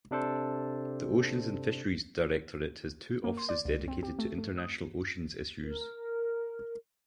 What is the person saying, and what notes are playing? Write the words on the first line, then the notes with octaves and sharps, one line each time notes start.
The Oceans and Fisheries Directorate has two offices dedicated to international oceans issues.
C3 D4 A4 C5
A#3
C6
D5
C#2
C4
G4
A3
A3
D#6
A#4